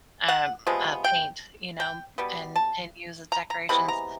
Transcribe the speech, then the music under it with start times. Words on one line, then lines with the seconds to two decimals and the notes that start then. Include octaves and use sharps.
um, uh, paint, you know, and and use as decorations,
0.28 F#5
0.67 C3 F3 G#3 B3
1.04 G5
1.80 G5
2.18 B2 G3 B3
2.56 A5
3.32 A#5
3.50 A#5
3.69 C3 E3 G#3 B3 B5
3.88 A#5